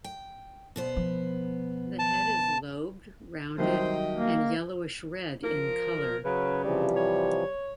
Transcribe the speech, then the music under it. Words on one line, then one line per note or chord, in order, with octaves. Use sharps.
The head is lobed, rounded and yellowish red in colour.
G5
B2 B3 C5
F3
A5
C2 D#3 F#3 C5 D#5 G5
A#3
F3 A#4
C#3 F#3 B4
C3 E3 F3 G3
C#5